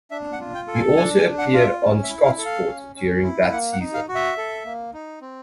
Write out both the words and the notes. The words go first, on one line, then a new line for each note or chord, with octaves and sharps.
He also appeared on "Scotsport" during that season.
D4 E5
F#5
F4
G5
A4
G#5
D4 G#5
G#5
D4
F#5
F4 F5
E5
C#4
E5
E4
F5
A4
F5
C#4
C#4
E4
A#3 F#5
F#5
D#4
F5
F#4
E5
A4
A#3
D#4
C4